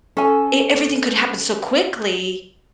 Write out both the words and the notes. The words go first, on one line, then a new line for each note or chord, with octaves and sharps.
E everything could happen so quickly
C#4 A4 G#5